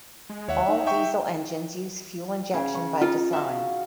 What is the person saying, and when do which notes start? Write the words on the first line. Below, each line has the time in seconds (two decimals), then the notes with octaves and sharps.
All diesel engines use fuel injection by design.
0.30 G#3
0.48 D#2 C#5 E5 F#5
0.68 D#4
0.87 E5 G5 C#6
2.54 C#3
2.74 C#6
3.02 D#4 F4
3.33 F#4 E5 F5